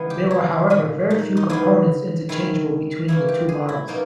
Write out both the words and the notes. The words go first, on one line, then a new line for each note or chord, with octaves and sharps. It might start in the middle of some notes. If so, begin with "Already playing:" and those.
There were however very few components interchangeable between the two models.
Already playing: C#3 E3 G#3 B3
G4
E4
A#2 G#3 C#4
D#4
D#4
C#3 G#3 B3 E4
D#3 G#3 C#4 E4
E3 A#3 C#4 E4
G4
G#4
E4
B2 A#3 C#4 D#4